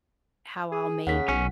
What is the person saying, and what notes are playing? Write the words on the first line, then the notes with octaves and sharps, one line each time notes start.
how I'll make
G#4
D#2 C#3 F#5 B6
B1 C#4